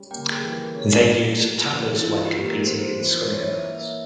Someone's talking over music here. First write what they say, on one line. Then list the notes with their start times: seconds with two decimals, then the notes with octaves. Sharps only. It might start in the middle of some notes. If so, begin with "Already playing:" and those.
They use tappers when competing in swimming events.
Already playing: G3 C#4
0.11 A#3 G5
0.32 G#4
0.43 E3
0.54 A#4
0.76 C#4
1.07 G3
1.39 A#3
1.71 E3
1.96 E4
2.03 E3 F4
2.25 G4
2.35 A#3
2.46 A#4
2.67 F4 C5
2.99 E3 C5
3.32 E3 C#5
3.53 E5
3.64 A#3
3.75 E5